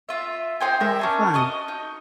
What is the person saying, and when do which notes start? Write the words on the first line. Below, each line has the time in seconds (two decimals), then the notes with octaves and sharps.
Oh, fun.
0.09 F4 E5
0.60 D#4 C5 G5 G#5
0.80 A#4 E5
0.99 C#4 D4 G#5
1.34 F#4 D#5 D#6
1.68 D#4